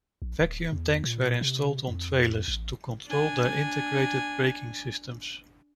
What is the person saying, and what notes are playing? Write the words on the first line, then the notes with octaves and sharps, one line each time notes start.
Vacuum tanks were installed on trailers to control their integrated braking systems.
A#1
D1
E2
A#2
C3
F2
A1
D4 G#5